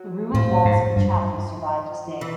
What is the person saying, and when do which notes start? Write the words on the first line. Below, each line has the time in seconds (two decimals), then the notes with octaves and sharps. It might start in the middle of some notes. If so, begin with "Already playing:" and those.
The ruined walls of the Chapel survive today.
Already playing: F#3
0.34 A2 F3
0.65 G#2
0.96 G2
2.21 E3